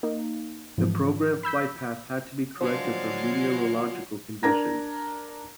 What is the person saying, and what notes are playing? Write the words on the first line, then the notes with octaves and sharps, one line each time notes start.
The programmed flightpath had to be corrected for meteorological conditions.
A#3 D#4
G#2 E3 F3
B5 E6 G6 B6
D3 F3 F#3 G#3 D4 F4 C5 F5
D4 A#4 A#5 G#6 A#6